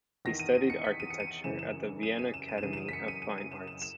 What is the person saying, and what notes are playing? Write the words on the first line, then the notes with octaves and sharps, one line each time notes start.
He studied architecture at the Vienna Academy of Fine Arts.
E2 D#3 A#6
D#7
D#7
C#7
B6
D#7
C#7
D#7
F#2 C#3 E3 E7
E7
D#7
D#7
E7
D#7
E7
F#2 C#3 E3 D#7
E7
D#7
B6
C#7
D#7
D#7
D#7
E7
E7
E7